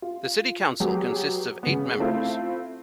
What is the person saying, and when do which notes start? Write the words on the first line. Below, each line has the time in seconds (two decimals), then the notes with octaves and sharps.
The city council consists of eight members.
0.02 F4
0.80 F#3 B3 G4 G#4
1.63 C#3 B3
2.00 A3 C4 E4 F4